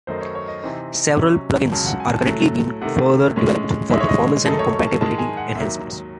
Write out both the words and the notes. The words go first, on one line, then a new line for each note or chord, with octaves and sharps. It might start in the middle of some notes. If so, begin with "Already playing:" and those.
Several plug-ins are currently being further developed, for performance and compatibility enhancements.
F#2 D#3 A3 D#4 C5
C#5
C#5
D#5
C3 E3 C4 D#4
C3 F#3 C#4
C#2 C#3 F#3 A5
F#5
G#5
A5
A2 F#3 A3
C3 D#3 A3 F#5
A2 G#3 C#4
A2 G#3 D#4 E5
C#5
D#5
F#2 D#3 A3 D#4 A4
C#5
C#5
A5
G#2 D#3 G#3 A5
G#5
F#5
D#2 D#3 F#3 E5